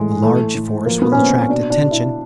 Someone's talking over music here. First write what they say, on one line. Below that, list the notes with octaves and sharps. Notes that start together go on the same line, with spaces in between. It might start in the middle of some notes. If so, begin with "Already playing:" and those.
A large force will attract attention.
Already playing: A2 E3 G#3
E3 A3
A2
F3 A#3
B3
C#4
A#2 C4
C#4
B2 D4
D4
B2
E4